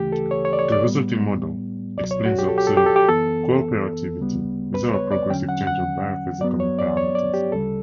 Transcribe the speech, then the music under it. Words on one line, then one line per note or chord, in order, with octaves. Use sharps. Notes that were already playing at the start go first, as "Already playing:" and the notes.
The resulting model explains the observed "cooperativity" without a progressive change of biophysical parameters.
Already playing: D2 C#3 E3 A3 G4
A4
C#5
C#5
D5
C#5
D5
A2 G3 B3
C#2 B2 F#3 D5
C#5
F#4
G4
A4
G4
A4
G4
A4
G4
F#2 E3 B3 A4
D2 C#3 G3 B3
B4
C#5
D5
E2 D3 F#3 C#4 G5
F#5
F#5
G2 F#3 B3 D5
C#5
D5
C#5
D5
G4
D2 C#3 G3 A4